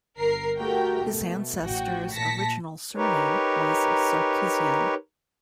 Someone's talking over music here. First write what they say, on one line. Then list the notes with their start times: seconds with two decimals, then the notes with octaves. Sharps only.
His ancestors' original surname was "Sarkisian".
0.18 G1 A#4 C7
0.58 A3 F#4 G4 A#4 G5
1.02 B2 A3
1.60 A1 F#4 G5
2.12 A#2 A5 A#6 B6 C#7
2.96 D#4 G4 A#4 B4 C#5